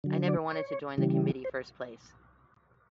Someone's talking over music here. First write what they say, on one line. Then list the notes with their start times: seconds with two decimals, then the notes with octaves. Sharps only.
I never wanted to join the committee first place.
0.04 D3 F#3
0.27 D5
0.51 C#5
0.98 C#3 E3 G3
1.44 C5